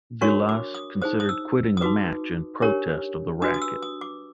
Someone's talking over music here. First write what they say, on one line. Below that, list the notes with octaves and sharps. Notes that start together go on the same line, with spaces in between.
Vilas considered quitting the match in protest of the racquet.
D4 F#4 A#4 C#5 C#6
D6
D#6
D#4 G#4 C5 D#6
D#6
E6
D#6
D#4 F#4 B4 D6
D4 G4 A#4 C#5
D4 F#4 B4 D#6
D#6
E6
D#6
D6